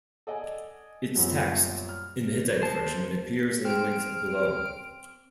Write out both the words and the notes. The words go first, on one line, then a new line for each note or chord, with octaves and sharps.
Its text, in the Hittite version, appears in the links below.
A4 D5 D#5 F#5 G#5
F#2 A#2 G3 B3 C4
F6
C5 A5
C4 F6 D7